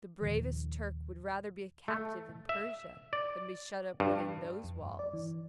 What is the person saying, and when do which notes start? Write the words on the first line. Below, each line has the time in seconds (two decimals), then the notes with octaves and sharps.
The bravest Turk would rather be a captive in Persia than be shut up within those walls.
0.22 D#2 A#2 D#3 F3
1.88 A3
2.49 E5
3.13 D5
4.00 G2
4.64 F2
4.79 G2
4.99 D5
5.13 E3